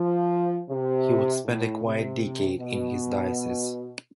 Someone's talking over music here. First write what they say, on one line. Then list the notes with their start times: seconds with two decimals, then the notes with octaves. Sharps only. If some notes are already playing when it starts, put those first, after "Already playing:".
He would spend a quiet decade in his diocese.
Already playing: F3
0.69 C3
1.45 A2
1.83 C3
2.59 B2